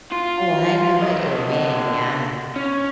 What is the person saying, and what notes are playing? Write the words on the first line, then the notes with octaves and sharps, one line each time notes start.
Oh, I know what you mean, yeah.
F4
D3 D#5
C#4